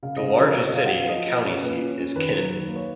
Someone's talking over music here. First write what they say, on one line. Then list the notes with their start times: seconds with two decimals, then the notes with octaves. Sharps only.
The largest city and county seat is Kennett.
0.03 C#3 F5
0.17 C#3 D#5
0.29 F5
0.38 F3 A#4
0.49 B4
0.56 C#3 C#5
0.65 D#5
0.73 F4 F5
0.85 F#5
0.91 F4
0.97 F5
1.09 F3 D#5
1.27 F3
1.45 C#4 C#5
1.62 A#2 B4
1.80 C#4
1.98 C#4
2.16 D#2 B4
2.33 F#3
2.51 D#2
2.68 A#3
2.76 C#5